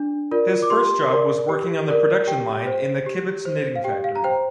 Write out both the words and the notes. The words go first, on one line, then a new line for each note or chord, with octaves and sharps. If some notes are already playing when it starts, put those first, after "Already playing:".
His first job was working on the production line in the kibbutz knitting factory.
Already playing: D4
F4 A#4 D5
D6
G4 C6
A#4 D5
G4
A#4 D5
G4 G5
C5
G4
C5
F5
G4 G5
F5
A#5
C5 G5